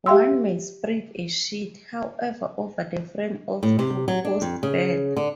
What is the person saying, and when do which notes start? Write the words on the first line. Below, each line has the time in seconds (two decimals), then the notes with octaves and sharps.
One may spread a sheet, however, over the frame of a two-post bed.
0.06 G4 E5 F5 G5 C6 E6
3.63 A2
3.79 C3
4.08 F#3
4.25 D4
4.42 F2
4.63 C#3
5.17 D3